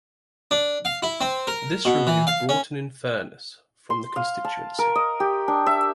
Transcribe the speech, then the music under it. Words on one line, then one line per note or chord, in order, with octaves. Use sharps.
This removed Broughton-in-Furness from the constituency.
D4
F5
E4
C4
A#4
B2
E3
F5
C#4
C6
F5
A5
A#4
D#5
G4
D4
E5